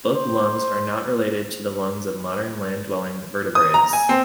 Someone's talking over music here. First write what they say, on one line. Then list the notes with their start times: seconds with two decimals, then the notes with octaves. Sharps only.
Book lungs are not related to the lungs of modern land-dwelling vertebrates.
0.13 C5
3.55 D#6
3.74 A#5
3.93 G#5
4.09 C4